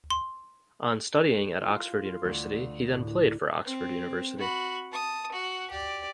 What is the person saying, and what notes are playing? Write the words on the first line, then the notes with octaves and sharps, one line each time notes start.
On studying at Oxford University he then played for Oxford University.
C6
F4
F4
D2
A2
C4
F#4 B5
A5 D#6
F#4 F#5
G4 D5